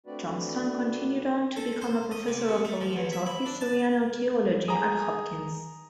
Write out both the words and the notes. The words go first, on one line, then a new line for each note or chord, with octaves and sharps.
Johnston continued on to become a Professor of Oriental History and Archaeology at Hopkins.
A3 C4 D4 F#4 B4 D5
A4
C5
D#5
C3
C3
A3
F3
E2
E5
E4
D4
A5
G#4 A#5 D#6